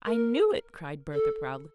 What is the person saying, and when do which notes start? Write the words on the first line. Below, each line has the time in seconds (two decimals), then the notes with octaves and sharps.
"I knew it!" cried Bertha, proudly.
0.06 A#4
1.13 A4